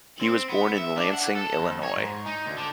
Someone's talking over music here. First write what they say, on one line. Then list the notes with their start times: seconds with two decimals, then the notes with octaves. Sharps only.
He was born in Lansing, Illinois.
0.21 C4
0.49 B3
0.78 E5
0.97 D4
1.13 F#5
1.35 A4
1.59 F2
1.83 C#5
1.96 G#2
2.26 D#4
2.46 D2
2.58 D3